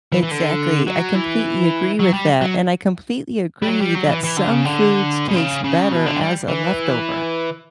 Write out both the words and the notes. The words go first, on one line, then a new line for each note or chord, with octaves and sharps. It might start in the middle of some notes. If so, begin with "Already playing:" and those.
Exactly, I completely agree with that, and I completely agree that some foods taste better as a leftover,
E3
E3
D3
F#3
E3
F#3
G3
F#3
G3
F#3
G3
F#3
E3
E3
D3
C#3
D3
B2
C#3
C#3
B2
D3
G3
E3